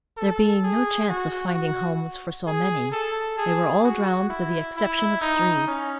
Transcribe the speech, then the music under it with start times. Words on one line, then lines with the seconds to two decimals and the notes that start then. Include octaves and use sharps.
There being no chance of finding homes for so many, they were all drowned with the exception of three.
0.17 A4
0.63 G#4
1.09 F#4
1.54 F#4
2.47 G#4
2.92 A4
3.38 G#4
3.84 F#4
4.29 E4
4.76 E4
5.21 D#4
5.67 C#4